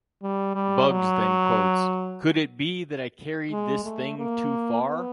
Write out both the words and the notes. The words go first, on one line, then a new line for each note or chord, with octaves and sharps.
Bugs then quotes Could it be that I carried this thing too far?
G3
G3
F#3
G#3
A3
A#3
B3